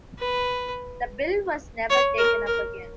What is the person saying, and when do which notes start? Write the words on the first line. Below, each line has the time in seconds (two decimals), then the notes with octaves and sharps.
The bill was never taken up again.
0.19 B4
1.90 C#5
2.18 A#4
2.46 A#4